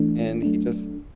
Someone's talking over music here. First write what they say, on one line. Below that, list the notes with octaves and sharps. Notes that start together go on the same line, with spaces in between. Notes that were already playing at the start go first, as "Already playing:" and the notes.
and he just
Already playing: E3 A3 D4
F#3 A3 D4